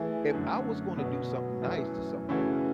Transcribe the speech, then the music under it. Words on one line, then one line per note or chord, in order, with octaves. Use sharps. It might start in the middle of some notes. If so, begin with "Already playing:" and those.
if I was gonna do something nice to someone
Already playing: E3 A3 E4 G#4
F#2 D3 A3
B2 F#3 B3 F#4
F#2 E3 A3
C#3 E3 A3 C#4 F#4